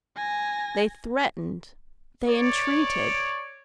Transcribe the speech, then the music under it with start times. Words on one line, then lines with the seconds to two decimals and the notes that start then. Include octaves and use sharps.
They threatened, they entreated.
0.16 G#5 A#6
2.26 C#5 D5